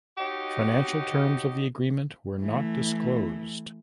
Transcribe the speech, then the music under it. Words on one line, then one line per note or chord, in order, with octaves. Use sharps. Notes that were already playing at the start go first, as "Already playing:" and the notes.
Financial terms of the agreement were not disclosed.
D#4 F#4 G4 C#5 D#5
E3 A3